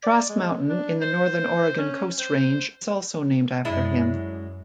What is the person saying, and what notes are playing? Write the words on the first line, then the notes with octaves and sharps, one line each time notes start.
Trask Mountain in the Northern Oregon Coast Range is also named after him.
D5
G#3
D4
C5
C#4
C5
F#2 G#3 D4 E4